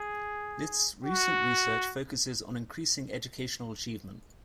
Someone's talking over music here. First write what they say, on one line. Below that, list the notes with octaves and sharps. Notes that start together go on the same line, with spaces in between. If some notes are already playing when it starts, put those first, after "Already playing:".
List's recent research focuses on increasing educational achievement.
Already playing: G#4
F#4